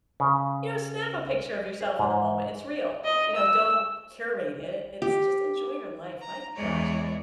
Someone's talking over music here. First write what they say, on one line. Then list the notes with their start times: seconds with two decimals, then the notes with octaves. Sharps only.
you know, snap a picture of yourself in the moment, it's real, you know, don't curate it, it's just enjoy your life, my gosh.
0.20 C#3
1.81 G#4
1.99 G#2
3.05 D#5
3.35 E6
5.02 G4
6.21 A#5
6.56 E2 E3 G#3 G#4 C#5 D5